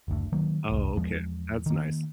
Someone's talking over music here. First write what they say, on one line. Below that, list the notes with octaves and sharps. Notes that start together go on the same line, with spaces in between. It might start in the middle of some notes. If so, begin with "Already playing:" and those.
Oh, okay. That's nice.
F#1 D2
D#3 F#3 A#3
F1 C2
E2 F3 G#3
D#3 A#3